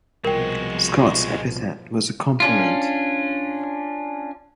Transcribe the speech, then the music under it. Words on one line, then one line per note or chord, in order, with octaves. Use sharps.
Scott's epithet was a compliment.
C2 B2 F3 G#3 F#4 A#4 G5
C#4 D4 F4